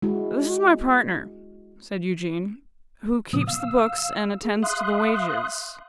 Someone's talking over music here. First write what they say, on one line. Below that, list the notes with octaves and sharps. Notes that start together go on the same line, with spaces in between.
'This is my partner,' said Eugene, 'who keeps the books and attends to the wages.
G#3 E4 F#4
A#2 C#3 F3 B3 D#6
F5 E6
G#4
E5 F5 C6 D#6 F#6